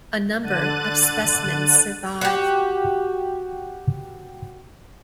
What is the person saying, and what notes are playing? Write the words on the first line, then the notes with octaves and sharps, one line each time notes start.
A number of specimens survive.
D3 F#6 A6 D#7
F#4 G4